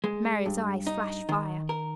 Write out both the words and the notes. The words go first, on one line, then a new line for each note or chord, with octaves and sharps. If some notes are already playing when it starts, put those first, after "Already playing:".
Mary's eyes flashed fire.
G#3
G2
D#4
D#3
A#4